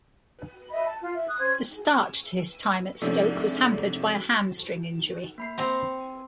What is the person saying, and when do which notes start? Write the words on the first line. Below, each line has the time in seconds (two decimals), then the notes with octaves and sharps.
The start to his time at Stoke was hampered by a hamstring injury.
0.71 D#5 E5 B5
0.86 A5
1.01 F4
1.13 E5
1.28 D#6 F#6
1.40 C#4 C5 G#6
3.02 G#2 C3 F3 A3 C#4 D4
5.38 A#3 B5 C7
5.58 C4 G5 A#5